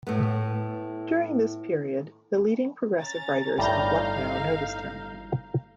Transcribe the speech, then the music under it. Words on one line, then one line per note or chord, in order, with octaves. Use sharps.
During this period, the leading progressive writers of Lucknow noticed him.
A2 A3 B3
C#4 A#5 A6
G1 A2 G3 D#4 F5 A#5 G6